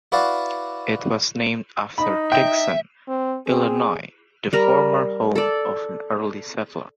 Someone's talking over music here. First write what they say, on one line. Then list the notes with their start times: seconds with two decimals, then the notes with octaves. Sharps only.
It was named after Dixon, Illinois, the former home of an early settler.
0.12 E4 F#4 B4 D5 F5 F#5
1.98 D#4 B5
2.32 E5 G5
3.08 C4
3.47 C4 G#4
4.53 G3 A#4
5.35 A4 D5